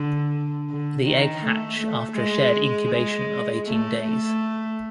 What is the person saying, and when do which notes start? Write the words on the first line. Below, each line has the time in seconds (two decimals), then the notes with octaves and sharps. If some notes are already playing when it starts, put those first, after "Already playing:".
The egg hatch after a shared incubation of eighteen days.
Already playing: D3
0.69 D3
1.06 D#3
1.43 A3
1.79 A3
2.17 G#3
2.91 G#3
3.65 A3
4.02 A3